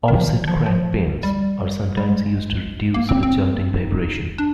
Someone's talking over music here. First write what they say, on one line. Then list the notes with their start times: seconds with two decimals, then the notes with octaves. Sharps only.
Offset crankpins are sometimes used to reduce the resulting vibration.
0.08 D#3
0.16 F3
0.24 D#3
0.33 F3
0.39 D#3
0.48 F3
0.55 D#3
0.66 F3
1.23 G3
1.97 G3
2.09 G#3
2.94 A#3
3.09 C4
3.23 C4
3.54 A#3
3.62 C4
3.71 D4
3.80 D#4
4.38 D4